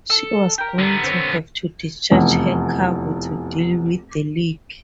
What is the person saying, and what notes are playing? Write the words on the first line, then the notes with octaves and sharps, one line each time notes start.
She was going to have to discharge her cargo to deal with the leak.
A4
G4 A#4
D3 B3
C4 C#5
F1 E2